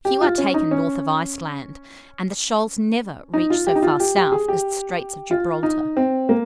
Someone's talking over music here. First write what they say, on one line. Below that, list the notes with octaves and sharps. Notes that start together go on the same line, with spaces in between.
Few are taken north of Iceland, and the shoals never reach so far south as the Straits of Gibraltar.
G4
F4
C#4
D#4
C#4
D#4
F4
G4
D#4
F4
G4
G4
G#4
G4
F4
D#4
C4
A#3